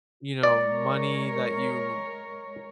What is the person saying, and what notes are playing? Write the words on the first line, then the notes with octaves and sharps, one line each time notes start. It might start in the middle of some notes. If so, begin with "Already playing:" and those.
you know, money that you
G#3 A#4 C#5 D5